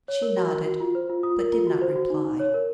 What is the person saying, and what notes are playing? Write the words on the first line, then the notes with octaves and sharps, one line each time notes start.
She nodded, but did not reply.
C#5
A#4
F#4
A#4
F#4
F4
C5
F4
F4 D#6
A#4
F4
F#4
C5
F#4
D#4
D#4
C#5
A#4